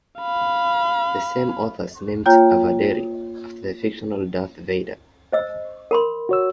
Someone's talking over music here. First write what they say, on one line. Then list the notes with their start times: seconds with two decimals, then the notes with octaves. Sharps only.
The same authors named "A. vaderi" after the fictional Darth Vader.
0.19 F5 B5
2.26 A#3 F4 C#5 G5 A#5 G6
5.32 C5 D#5 E6
5.91 A#4 B5 C6
6.29 F#4 C#5 E6